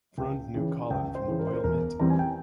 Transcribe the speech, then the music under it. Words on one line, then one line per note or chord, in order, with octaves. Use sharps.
Freund knew Collin from the Royal Mint.
C#2 G5
C#3 E3
C#2 G5
C5
C#3 E3
A#4
C5
A#4
E1 A#4
E2 E3 G3 C4 A#5
G#5
G5